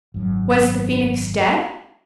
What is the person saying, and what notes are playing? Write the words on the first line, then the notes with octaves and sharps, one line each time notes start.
Was the Phoenix dead?
G#1 F#2